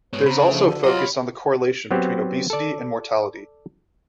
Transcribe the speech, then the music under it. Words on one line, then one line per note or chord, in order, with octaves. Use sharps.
There is also a focus on the correlation between obesity and mortality.
G#2 B3 C5 C#5
C#3 A#5 B5
F3 A3 D4 G#4
D3 F#4
F#3 F4 C#5 D#5 A#5
B5
F#3 B3 C4 G4
A4 D5